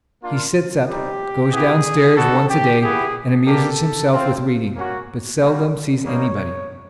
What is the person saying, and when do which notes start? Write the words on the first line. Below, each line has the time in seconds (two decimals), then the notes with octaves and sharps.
He sits up, goes down stairs once a day, and amuses himself with reading, but seldom sees any body.
0.22 A#3 D4 F4
0.87 G3 C4 D#4 G4
1.52 B3 E4 G4 G#4
2.16 B3 D4 F#4 A4
2.49 G4
2.81 B3 E4 G4 G#4
3.46 A#3 D4 G4 A4
4.11 C4 F4
4.75 A#3 C#4 F#4
5.40 G3 A#3 C#4 F#4
6.05 G3 A#3 D#4 C#5